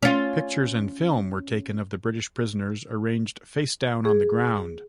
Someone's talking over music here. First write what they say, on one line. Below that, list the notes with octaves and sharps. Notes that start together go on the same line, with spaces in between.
Pictures and film were taken of the British prisoners arranged face-down on the ground.
C#4 F4
G#4